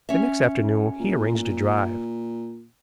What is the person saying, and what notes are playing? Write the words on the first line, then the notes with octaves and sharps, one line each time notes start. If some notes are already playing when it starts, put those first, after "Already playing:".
The next afternoon he arranged a drive.
C#4 E5
A#2